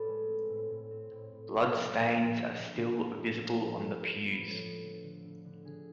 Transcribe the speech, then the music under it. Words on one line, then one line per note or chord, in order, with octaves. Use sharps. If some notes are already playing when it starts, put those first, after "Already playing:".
Blood stains are still visible on the pews.
Already playing: A2 A4 B4 D5
G#3
C4
A2
A2
C4
A2
A2
B3
F3
D3
D3
D3 G#4
D3
D3
D3
F3
A2
B3
B3
F3
B3
A2
F3
D3
D3
D3
D3
D3 G#4